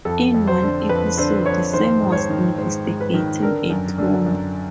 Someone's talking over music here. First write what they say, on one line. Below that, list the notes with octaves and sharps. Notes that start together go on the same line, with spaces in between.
In one episode, Sam was investigating a clone.
F2 A4
F2
C5
D3
F2 B4
D3 C5
F2 C#5
D#3 C5
G#2
C#5
C5
D#3
G#2 C5
G#2
B4
D#3
D3 A#4
F#2
D3
F#2